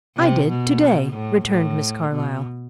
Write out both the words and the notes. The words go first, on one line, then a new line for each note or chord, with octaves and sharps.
"I did to-day," returned Miss Carlyle.
C3
B2
A2
A2
B2